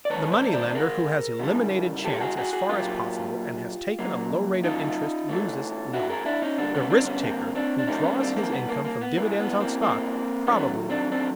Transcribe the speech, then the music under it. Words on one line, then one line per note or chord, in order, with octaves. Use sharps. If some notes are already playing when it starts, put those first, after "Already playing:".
The money-lender who has eliminated chance as far as possible and has taken a low rate of interest loses little; the risk-taker who draws his income from dividends on stock probably loses much.
D5
D#3 G#3 B4 C#5
C5 D5
C5 D5
G#4 A#4
C#3 E3 G3
G4 A4
F#4 G#4
F#4 G#4
F#4 G#4
A#2 F#3 A#3 F4 G4
C#3 F#3 A#3
D#4 F4
A2 E3 A3
E4 F#4
G#4 A#4
D4 E4
C#4 D#4
D3 G3 A#3 C4 D4
B3 C#4
C4 D4
B3 C#4
A#3 C4
C4 D4
D4
D#3 G3 A#3 C#4 D#4
B3 C#4
C4 D4
A#3 C4
B3
A#3
A#3
B3
A2 E3 G#3 A#3
B3
A#3 C4
A#3 C4
D#3 F#3 A3 B3 C#4
C4 D4
C4 D4